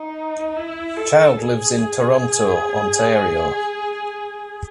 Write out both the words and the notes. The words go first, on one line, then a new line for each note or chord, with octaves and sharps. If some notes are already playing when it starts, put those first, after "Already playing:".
Child lives in Toronto, Ontario.
Already playing: D#4
E4
A4
G#4